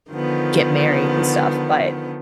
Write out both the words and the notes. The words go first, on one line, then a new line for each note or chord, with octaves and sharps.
get married and stuff, but,
D3 D#3 F3 B3